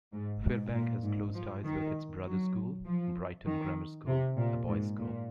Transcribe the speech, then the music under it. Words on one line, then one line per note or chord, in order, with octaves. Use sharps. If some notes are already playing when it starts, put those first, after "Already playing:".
Firbank has close ties with its brother school, Brighton Grammar School, a boys' school.
G#2
G#2
A#2
G#2
F3
D#3
F#3
F3
D#3
C3
A#2
G#2
A#2